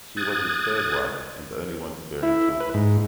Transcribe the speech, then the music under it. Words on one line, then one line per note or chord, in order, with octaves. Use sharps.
She was his third wife and the only one to bear him children.
D#6 F#6 G#6 A6
E4
B4
G#2